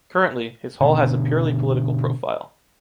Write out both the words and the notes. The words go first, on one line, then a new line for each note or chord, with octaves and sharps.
Currently, his hall has a purely political profile.
B2 D3